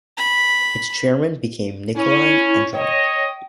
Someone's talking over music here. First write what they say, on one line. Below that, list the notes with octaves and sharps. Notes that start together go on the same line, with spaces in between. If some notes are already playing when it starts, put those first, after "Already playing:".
Its chairman became Nicolae Andronic.
B5
C#4 E4
C#5 D#5 G5